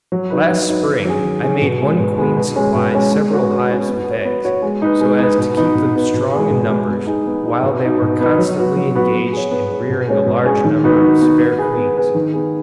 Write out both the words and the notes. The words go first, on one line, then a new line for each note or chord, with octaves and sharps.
Last Spring, I made one queen supply several hives with eggs, so as to keep them strong in numbers while they were constantly engaged in rearing a large number of spare queens.
F#3
D#4 B4
F#3
D#4 B4
D#3
F#3 C#4 G#4
D#3
F#3 C#4 G#4
B2
G#3 B3
B2
G#3 B3
B2
G#3 C#4
B2
G#3 C#4
G#3
C#4 F#4 B4
G#3
C#4 F#4 B4
B3
F#4 C#5
B3
F#4 C#5
G#3
D#4 B4
G#3
D#4 B4
B2
B3 D#4
B2
B3 D#4
B2
G#3 B3 G#4
B2
G#3 B3 G#4
B3
D#4 G#4
B3
D#4 G#4
B2
B3 D#4
B2
B3 D#4
F#3
B3 F#4
F#3
B3 F#4
B3
G#4 C#5
B3
G#4 C#5
B2
G#3 C#4 G#4 C#5
B2
G#3 C#4 G#4 C#5
D#3
B3 D#4 F#4
D#3
B3 D#4 F#4
B3
G#4 B4
B3
G#4 B4
D#3
B3 G#4